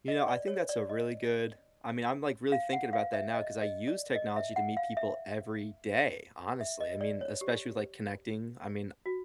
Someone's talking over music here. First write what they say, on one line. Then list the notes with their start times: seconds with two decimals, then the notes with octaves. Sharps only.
You know, I think that's a really good I mean, I'm, like, really thinking about that now 'cause I use technology to meet people every day, honestly, I mean, especially with, like, connecting, I mean,
0.08 D#5
0.28 D5
0.48 C#5
0.69 D5
0.89 D#5
2.52 F5
2.73 F#5
2.93 F5
3.13 E5
3.34 D#5
3.61 D#5
3.88 D5
4.16 D#5
4.36 E5
4.56 F#5
4.77 F5
4.97 E5
6.61 E5
6.80 D#5
7.01 D5
7.21 C#5
7.41 G4
9.06 F#4